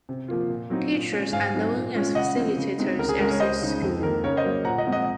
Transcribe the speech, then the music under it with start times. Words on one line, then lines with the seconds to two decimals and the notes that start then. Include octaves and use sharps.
Teachers are known as "facilitators" at this school.
0.09 C3
0.28 F3 A#3 F4
0.50 A#2
0.70 F#3 C4 D#4
0.91 A#2
1.12 G#3 C#4
1.32 G#2 F5 G#5
1.54 F#3 C4 D#4
1.74 A#2
1.94 G#3 C#4 F4
2.15 C#3 D#5 F#5
2.36 F3 C4
2.57 C#3
2.78 G#3 C4 D#4
2.99 C#2 A#4
3.09 G#4
3.19 C#3 G#3 A#4
3.30 A#4 C#5
3.40 C#2 C5 D#5
3.61 C#3 G#3 D#4
3.82 F2
4.02 D#3 A#3 A#4
4.24 C#3 A#4 C#5
4.37 C5 D#5
4.45 F#3 A#3
4.64 A#2 F#5 A#5
4.78 D#5 F#5
4.86 F3 G#3 C4
4.92 D#5 F#5